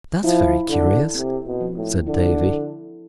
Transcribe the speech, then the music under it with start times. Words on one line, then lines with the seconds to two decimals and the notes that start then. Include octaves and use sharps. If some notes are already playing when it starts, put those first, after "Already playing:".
"That's very curious," said Davy.
0.24 F3 E4
0.69 D3 A4
1.15 C3 C4
1.46 B2
1.61 F3
1.76 A2
2.06 D3 E4
2.53 A4